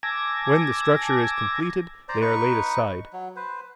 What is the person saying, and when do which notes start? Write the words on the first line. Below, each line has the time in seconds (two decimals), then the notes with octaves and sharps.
When the structure is completed, they are laid aside.
0.03 G#5 A5 D6 E6 G#6 A#6
2.09 C5 D5 A#5
2.22 D#4 B4 C#6
3.13 F#3
3.36 B4 C5